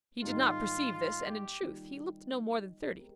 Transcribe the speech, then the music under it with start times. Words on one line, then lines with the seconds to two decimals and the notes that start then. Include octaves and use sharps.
He did not perceive this, and in truth he looked no more than thirty.
0.22 G#2 D#3 G3 A#3 D#4 F4
0.92 F4
1.26 G4
1.60 D#3 G3 A#3 F4
2.99 G#3 C4 G4 A#4